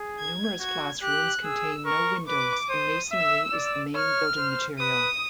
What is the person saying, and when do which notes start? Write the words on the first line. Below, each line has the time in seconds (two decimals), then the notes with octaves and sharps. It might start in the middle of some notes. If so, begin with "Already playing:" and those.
Numerous classrooms contain no windows and masonry is the main building material.
Already playing: G#4
0.19 G#6
0.60 F#4 G#6
1.02 G4 F#6
1.44 G#4 E6
1.86 A#4 C#6
2.28 B4 D6
2.70 C5 D#6
3.12 E5 E6
3.54 D5
3.95 C#5 F6
4.37 C5
4.79 B4 D#6